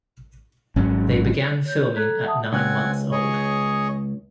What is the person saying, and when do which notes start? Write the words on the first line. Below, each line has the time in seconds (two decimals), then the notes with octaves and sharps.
They began filming at nine months old.
0.76 G#1 G#2 F#3 C#4
1.66 C#5 G6
1.96 A4 A#5 F#6 G#6 B6
2.24 E5 F#5 A5 D#6
2.53 C#2 C4 F#5 G#5
3.12 G#4 C#5 D#5